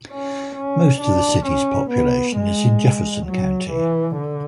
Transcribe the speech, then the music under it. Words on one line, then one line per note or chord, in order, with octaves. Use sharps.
Most of the city's population is in Jefferson County.
C#4
C#4
D4
C#4
B3
G#3
F#3
E3
D3